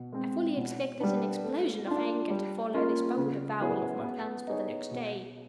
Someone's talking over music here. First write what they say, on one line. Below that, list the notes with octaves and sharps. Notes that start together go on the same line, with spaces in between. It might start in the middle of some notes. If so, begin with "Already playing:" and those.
I fully expected an explosion of anger to follow this bold avowal of my plans for the next day.
Already playing: B2
G#3 C4
B2
G3 B3 D4
A3
D4 F4
G3
A#3 C#4 F4
C#3
F#3 B3 E4 G#4
B3
D#4 G#4 C#5
B2